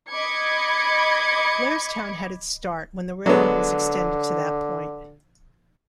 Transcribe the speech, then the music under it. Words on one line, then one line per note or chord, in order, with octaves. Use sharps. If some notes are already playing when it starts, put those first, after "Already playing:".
Blairstown had its start when the railroad was extended to that point.
D#5 B5 D6 G#6 C#7
D3 F#3 G#3 B3